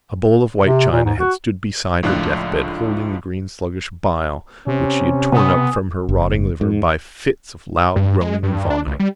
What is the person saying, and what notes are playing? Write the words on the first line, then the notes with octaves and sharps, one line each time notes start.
A bowl of white china had stood beside her deathbed holding the green sluggish bile which she had torn up from her rotting liver by fits of loud groaning vomiting.
C3
A#2
G#2
F#4
C#2 A2 F3 D4 F4 F#6
C3 C#4
C3 B3 G#5 D#6
F#1
G#2
G2
G#3
G2
D4
C#2
G3